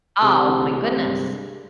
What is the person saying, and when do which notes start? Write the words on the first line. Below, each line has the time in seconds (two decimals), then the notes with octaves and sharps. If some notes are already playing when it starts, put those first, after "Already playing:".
Oh my goodness.
0.22 C3 G#3
0.49 A1
0.76 C3 G#3
1.04 G2